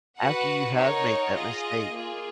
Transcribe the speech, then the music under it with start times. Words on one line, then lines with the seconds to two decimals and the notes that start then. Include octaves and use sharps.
after you have made that mistake
0.18 F#4 B4 F#5
0.76 D#4 A#4 C#5 F#5
1.34 F4 G#4 D#5
1.93 A#3 F4 G#4